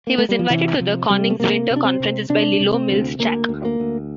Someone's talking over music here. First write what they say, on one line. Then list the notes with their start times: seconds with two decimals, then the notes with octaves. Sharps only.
He was invited to the Konigswinter conferences by Lilo Milchsack.
0.07 A#3
0.18 A3
0.29 G3
0.39 F3
0.50 C3 E3
0.80 C3 F3
1.09 C3 G3
1.30 A3
1.40 C3 A#3
1.70 C3
1.76 D4
1.85 C4
2.00 C3
2.30 C3 D4
2.60 C3
2.74 C4
2.89 D2
3.19 D2 A#3
3.49 D2
3.65 A#3
3.80 D2